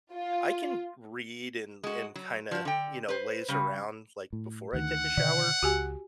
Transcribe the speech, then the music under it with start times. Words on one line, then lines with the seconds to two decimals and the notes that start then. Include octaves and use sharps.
I can read and and kinda, you know, laze around, like, before I take a shower,
0.14 F4
1.83 G#3 F#4
2.15 F#3
2.51 F3 F#4
2.65 D3 G5
3.08 B4 C5
3.48 C#3 G3
4.33 A2
4.73 D2 D#3 F#5
5.17 B2 D3 D#3 D5
5.63 C#2 F#4 G4 G#5